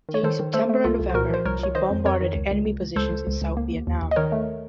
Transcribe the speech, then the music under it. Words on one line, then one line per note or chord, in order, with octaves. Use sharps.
During September and November, she bombarded enemy positions in South Vietnam.
D#3
C#5
D#3 A4 C5
D#3
A3 A4 C5
A3
C2 F4 A4
C2
C5
A#2 F#4 A#4
F3 C5
C2 A#4 C#5
F3 C#5
D#3 C5 D#5
F2
F2 A#4 C#5
D#3
C#2
C#2
C#2
C#2
C#2 A4 C5
C#2
C#2
C#2
A#3
D#2
D#2
D#2
D#5
D#3 A#4 C#5
A3